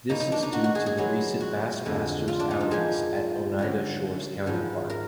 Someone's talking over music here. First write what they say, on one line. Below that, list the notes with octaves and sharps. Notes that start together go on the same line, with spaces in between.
This is due to the recent Bass Masters outings at Oneida Shores County Park.
B2 A#3 D#4
D#4
D4
D#4
F#4
F#4
G#4
G#4
A#2 F#3 B3
F#4
F2 D3 G#3 B3
F4
D4
D#4
F4
A#2 F3 B3 G#4
F#2 D3 F#3
G#2 F3 B3
A#4